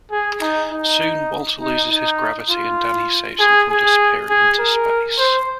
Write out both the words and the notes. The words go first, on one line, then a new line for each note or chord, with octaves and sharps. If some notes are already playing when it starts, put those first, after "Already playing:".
Soon, Walter loses his gravity and Danny saves him from disappearing into space.
G#4
D#4
D#4
D#4
D#4
F4
G#4
G#4
G#4
A#4
C5